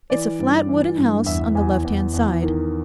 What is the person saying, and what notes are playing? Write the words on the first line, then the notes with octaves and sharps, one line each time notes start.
'It's a flat wooden house, on the left-hand side.
E3 D5
G2
E3
G2
E2 E5
E2 G#5
E2
E2
D#3